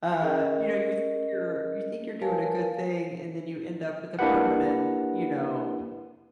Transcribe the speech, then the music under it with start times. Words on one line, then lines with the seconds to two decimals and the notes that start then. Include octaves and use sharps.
Uh, you know, you're think you're you think you're doing a good thing, and then you end up with a permanent, you know,
0.22 C#4 G#4 A#4 D#5
2.22 A#4 B4 C#5 F5 G#5 A5
4.19 A#3 D4 E4 G4 B4 F#5